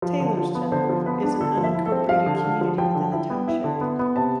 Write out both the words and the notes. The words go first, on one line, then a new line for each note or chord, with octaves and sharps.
Taylorstown is an unincorporated community within the township.
F3
D3
F3
B3
D3 C5
F3
B3 B4
D4
D3 A4
F3
E5
E4
A4
C4
F3 F5
D3
D3
F3
F3 G5
D3
E4
B3
E4
D3
B3
B3
C3 A5